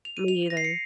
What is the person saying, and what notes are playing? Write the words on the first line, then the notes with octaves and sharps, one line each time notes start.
Me either.
F7
D#7
F7
A#6
C7
C#7